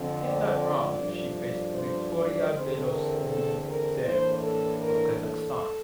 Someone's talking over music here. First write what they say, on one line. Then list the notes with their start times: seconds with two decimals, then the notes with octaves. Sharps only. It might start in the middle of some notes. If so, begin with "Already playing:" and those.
In that round, she faced Viktoriya Beloslydtseva of Kazakhstan.
Already playing: F2 D3 F3 C4
0.21 D5
0.97 G2 F3 A3 D4
1.73 C5
2.13 D5
2.51 E2 D3 A3 C4 C5
2.89 A#4
3.28 A4
3.66 A#4
4.04 A2 E3 A#3 D4 C5
4.44 A4
4.82 A#4
5.20 A4